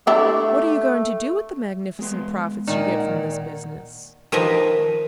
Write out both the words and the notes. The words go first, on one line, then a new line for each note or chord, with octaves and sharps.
"What are you going to do with the magnificent profits you get from this business?"
A3 D4 E4 G4
G#3 B3 C6
A#2 D#3 D#4
F#5
D#3 F3 B4 D#5